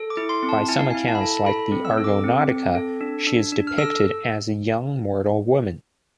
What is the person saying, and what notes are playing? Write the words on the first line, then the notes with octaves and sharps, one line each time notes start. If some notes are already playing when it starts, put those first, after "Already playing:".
By some accounts, like the "Argonautica", she is depicted as a young, mortal woman.
Already playing: A4
D6
E4
C6
C4
A5
E4 G#5
F5
E4 G#5
A5
B5
A4 A5
A4 B5
C4
E6
A4
D6
C4
C4
A4
D4
D4
D4
F6
A4 E6